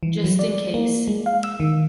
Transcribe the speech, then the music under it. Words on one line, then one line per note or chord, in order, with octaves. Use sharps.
Just in case.
E3
F#3
D5
A#3
G#3
F5
E6
D#3